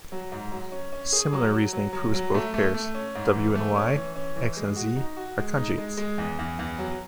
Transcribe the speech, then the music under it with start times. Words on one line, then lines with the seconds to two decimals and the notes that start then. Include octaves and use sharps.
Similar reasoning proves both pairs, W and Y, X and Z, are conjugates.
0.12 F#3
0.32 G#2
0.52 F#3
0.72 C#4
0.93 C#4
1.13 G#4
1.33 F#3
1.54 F#3
1.73 F#3
1.93 F#3
2.14 F#3
2.34 A3
2.54 A3
2.74 A3
2.95 C#4
3.15 G#2
3.35 E3
3.55 A3
3.76 C#4
3.96 E3
4.16 C#4
4.36 E3
4.57 G#3
4.76 F#4
4.96 D#4
5.17 F#4
5.37 G#3
5.57 D#4
5.78 G#3
5.97 G#3
6.18 E2
6.39 E2
6.59 E2
6.78 F#3